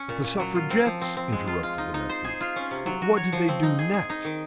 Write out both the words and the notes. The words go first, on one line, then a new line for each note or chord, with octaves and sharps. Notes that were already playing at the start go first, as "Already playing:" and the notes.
"But the Suffragettes," interrupted the nephew; "what did they do next?"
Already playing: C#4
A#2
A#2
F#3
F4
C4
F3
C4
C4
G#3
F4
F4
D#4
D#4
C5
G#4
F4
C#4
C3
F#3
F#4
C#5
F3
C4
D#4
G#4
G#4
D#4
D#3